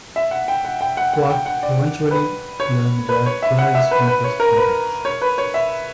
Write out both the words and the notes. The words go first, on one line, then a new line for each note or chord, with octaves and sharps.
Quark eventually learns where Kira is from his "contacts".
E5
F#5
G5
F#5
G5
F#5
F#5
G5
F#5
D5
B4
C#5
B4
C#5
E5
F#5
E5
B4
B4
C#5
A#4
B4
C#5
B4
C#5
E5